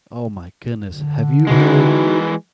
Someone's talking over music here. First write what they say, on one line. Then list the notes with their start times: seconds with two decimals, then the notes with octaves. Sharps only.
Oh my goodness, have you heard
0.91 D3
1.47 E3 G#3 D#4 F#4